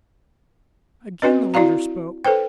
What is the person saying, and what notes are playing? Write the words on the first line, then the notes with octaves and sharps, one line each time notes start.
Again the leader spoke.
C4 F#4 B4 D#5
E4 F#4 D5 F5 A#5
A4 B4 C5 G5